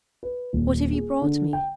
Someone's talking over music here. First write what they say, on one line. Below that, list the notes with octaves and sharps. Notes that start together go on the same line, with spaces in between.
What have you brought me?'
B4
D#1
G#4
D3
G5